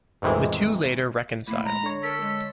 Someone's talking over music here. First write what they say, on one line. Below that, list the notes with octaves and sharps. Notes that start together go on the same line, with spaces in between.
The two later reconciled.
A1 F2 C3 D#3 E3 G#3
A2 A#3 B5
G#3 A#5
D3 C#5
A4 A#4 B6
G#3